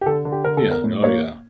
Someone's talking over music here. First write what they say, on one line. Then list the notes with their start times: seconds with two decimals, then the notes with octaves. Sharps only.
Yeah, oh, yeah.
0.01 G4
0.06 D3 A4
0.25 D3
0.32 G4
0.44 D3 A#4
0.57 A4
0.65 E2
0.71 A#4
0.84 A2
1.02 A#3 C#5